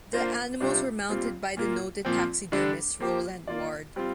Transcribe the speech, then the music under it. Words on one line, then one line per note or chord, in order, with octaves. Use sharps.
The animals were mounted by the noted taxidermist Rowland Ward.
A#3 D4 F4 C5
C3 G3 D4 F4 C5
A#2 G3 C4 F4
A#2 A#3 F4
A#2 F3 C4
D3 G3 D4
F3 A#3 G4 C5
A#3 F4 D5
G3 C4 F4